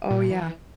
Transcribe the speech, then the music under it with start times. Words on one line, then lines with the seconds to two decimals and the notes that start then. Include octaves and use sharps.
Oh yeah.
0.11 A#2
0.31 E3